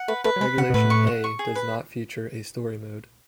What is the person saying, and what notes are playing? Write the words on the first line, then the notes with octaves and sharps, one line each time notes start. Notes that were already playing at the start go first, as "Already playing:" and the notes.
Regulation "A" does not feature a story mode.
Already playing: F#5
A3 B4
A3 B4
F#3
G#3 B5
C#3 F#5
B2
A2 B4
C#6
F#5
C#6
G#4
B4